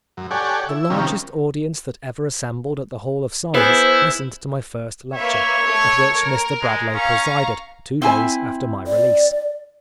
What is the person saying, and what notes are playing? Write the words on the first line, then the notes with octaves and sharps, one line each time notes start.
The largest audience that ever assembled at the Hall of Science listened to my first lecture, at which Mr. Bradlaugh presided, two days after my release.
F#2
G4 A4 C#5 D5 F#5 G#5
E4
C3 D#3 F3 G3 A#3 C#4
B3 E4 G#4 B4 C5
A#3 B4 C#5 E5
A3
A#4
G#3
C#4 F5 A#5 C#6
C4 E4 G#5
D5